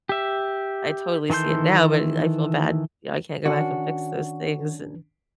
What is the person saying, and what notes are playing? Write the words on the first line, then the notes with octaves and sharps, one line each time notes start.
I totally see it now, but I feel bad, you know, I can't go back and fix those things, and
G4 E5
D#3 E3 A4 C6 G6
D#3 C#4 D4 F#4